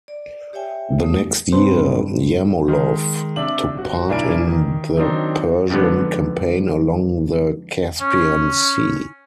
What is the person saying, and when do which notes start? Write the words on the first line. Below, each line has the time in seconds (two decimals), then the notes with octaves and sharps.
The next year, Yermolov took part in the Persian Campaign along the Caspian Sea.
0.08 D5
0.53 G4 C#5 E5 G5 G#5
1.02 A3 D#6
1.52 G2 C3 C4 D4 B4 C5
2.68 D#3 G#3
3.36 C3 D4 E5 D6 F#7
3.76 G1 F#4
4.09 B1 A#3 D4 E4 G#5 D7
4.47 D#3
4.97 D#3 F#3 C4 D4 D#4
5.70 F2 G#2 D3 B3
8.01 C#4